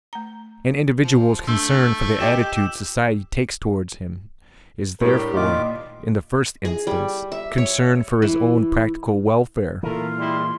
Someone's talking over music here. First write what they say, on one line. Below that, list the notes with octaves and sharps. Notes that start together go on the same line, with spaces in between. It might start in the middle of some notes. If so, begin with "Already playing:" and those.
An individual's concern for the attitude society takes toward him is therefore in the first instance concern for his own practical welfare.
A3 A#5
F3
A3 D4 E6 G6 G7
F4 G4 D#5 E7
A2 G3 D4 G4 A#4
A#2 D#3 F4 D#5 D6
G#4
G3
E5
C#5
E3
A#2 E3 A3 F4 A4 A#4 B5
G3 G#3 E4 C6